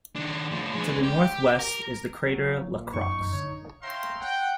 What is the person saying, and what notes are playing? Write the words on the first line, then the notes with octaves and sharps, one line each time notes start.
To the northwest is the crater Lacroix.
D#3 D4
A2 F3
G#3 D4
G4
A#4
F#3
A#2
F#2 F#3 D#4 C#6
A1 F#2 A2
D3 C#5
C#5 E5 F5 G5 A#5 C6
F#5 G5